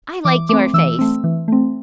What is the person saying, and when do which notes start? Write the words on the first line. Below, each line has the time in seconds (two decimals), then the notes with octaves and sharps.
I like your face.
0.25 E3 D6
0.49 A3 C4 D6
0.74 E3 E6
0.99 A3 C4
1.24 E3
1.48 A3 C4